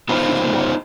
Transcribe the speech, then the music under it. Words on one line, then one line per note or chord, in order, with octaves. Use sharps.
Off with you, Molly.
B3 D#4 F4 C5